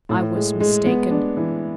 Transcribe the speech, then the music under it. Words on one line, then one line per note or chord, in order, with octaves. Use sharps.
I was mistaken.
A2
G#3
G#3
B3
D4
E3